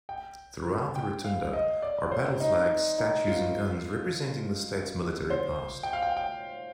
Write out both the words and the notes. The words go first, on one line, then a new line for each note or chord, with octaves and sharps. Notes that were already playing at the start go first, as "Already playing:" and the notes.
Throughout the rotunda are battle flags, statues, and guns representing the state's military past.
G5
G5
F5
D#5
D5
C5
D#4
D#4
F4
C5
G5
F5
G5
G5